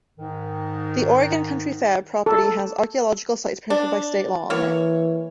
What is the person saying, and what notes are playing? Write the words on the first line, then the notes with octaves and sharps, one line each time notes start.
The Oregon Country Fair property has archaeological sites protected by state law on it.
G#2 D#3
A4
D4
E3 A#3 C#5